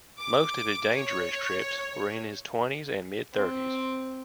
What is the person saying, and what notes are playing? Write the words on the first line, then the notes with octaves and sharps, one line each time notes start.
Most of his dangerous trips were in his twenties and mid thirties.
D6
C#5
C4